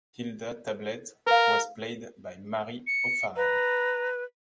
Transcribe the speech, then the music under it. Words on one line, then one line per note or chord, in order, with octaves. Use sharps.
Hilda Tablet was played by Mary O'Farrell.
A#4 B4 F5
C#7
B4 A#5